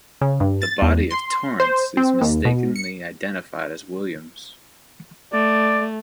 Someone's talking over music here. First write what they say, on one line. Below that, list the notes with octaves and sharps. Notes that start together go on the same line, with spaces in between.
The body of Torrance is mistakenly identified as Williams.
C#3
G2
A6
E2
C6
C5
C4
D#2
B2
C#7
A3 D5